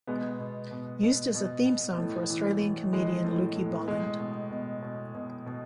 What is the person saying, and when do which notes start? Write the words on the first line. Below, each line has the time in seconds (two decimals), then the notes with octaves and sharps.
Used as a theme song for Australian comedian Lukey Bolland.
0.07 B2 G#3 B3
0.40 B2
0.71 B2
1.03 B2
1.34 B2
1.66 B2
1.98 A2
2.30 E3
2.61 E3
2.93 E3 G#3
3.24 A2
3.56 A2
3.88 B2 G#3
4.19 B2
4.51 B2
4.82 B2
5.14 B2
5.46 B2